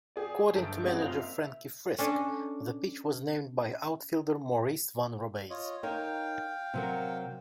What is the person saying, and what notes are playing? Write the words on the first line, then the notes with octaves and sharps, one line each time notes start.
According to manager Frankie Frisch, the pitch was named by outfielder Maurice Van Robays.
G4 G#4 D5
G1 A4 A5 G6 D7
G#3 C4 C#4 D#4 F#4 G#4
F#1 C4 F4 F5 F7
E5
C#4 D4 A4 D#5
F4 C#5 D#5
D#4 A#4 C#5 F5 G5
C3 F#3 A#4